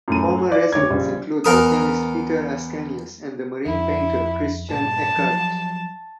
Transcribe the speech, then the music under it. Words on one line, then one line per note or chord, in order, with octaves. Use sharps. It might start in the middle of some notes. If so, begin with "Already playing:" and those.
Former residents include the chemist Peter Ascanius and the marine painter Christian Eckardt.
F#2 A2 D#7
D5 F5
D2 C#5 D6 G#6
A#1 C#3 G3
E2 A#4 D#6
F2 E4
G2 A#2 A5
F3 F#3